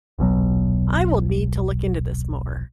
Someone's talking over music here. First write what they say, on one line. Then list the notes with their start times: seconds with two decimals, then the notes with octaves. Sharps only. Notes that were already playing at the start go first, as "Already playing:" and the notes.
I will need to look into this more...
0.19 D#1 B1 B2 F#3